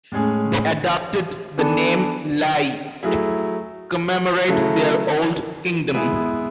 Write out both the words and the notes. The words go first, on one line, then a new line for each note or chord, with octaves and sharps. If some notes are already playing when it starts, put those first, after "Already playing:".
They adopted the name Lai to commemorate their old kingdom.
A2 G#3 C#4 G#4
E3 B3 D4 A4
F#3 A3 E4 G#4
C#3 F#3 A3 E4 A4
G#3 B3 E4 G#4